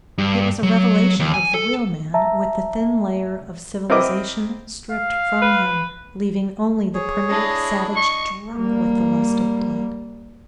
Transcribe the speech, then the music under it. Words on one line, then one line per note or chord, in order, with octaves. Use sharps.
It was a revelation of the real man with the thin layer of civilisation stripped from him, leaving only the primitive savage drunk with the lust of blood.
G2
F#3
D#2
G#5
A4
E5 A5 A#5
C4 E4 A#4 D#5 D6
F5
B4
G#4 C#5
D4 E4 D#5
D#5 C#6
G3 A#3